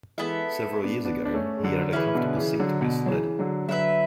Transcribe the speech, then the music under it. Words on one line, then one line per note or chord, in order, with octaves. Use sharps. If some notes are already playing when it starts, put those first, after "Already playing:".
Several years ago, he added a comfortable seat to his sled.
E3 G#3 B3 E4 A4 E5
B3 D4
B3 D4
D4
A3 C#4
G#3
D3 F#3
C#3 E3 C#4 E4 G#4 B4
B2 D3
C#3 E3
D3 F#3
B2 D3
F#3
C#3 E3
D3 F#3
D3 F#3 E4 B4 E5